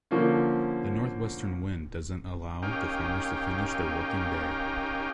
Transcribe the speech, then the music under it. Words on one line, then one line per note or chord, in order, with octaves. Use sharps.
The northwestern wind doesn’t allow the farmers to finish their working day.
D3 F3 A#3 C#4
C#4 D#4 G4 A#4 F5 G5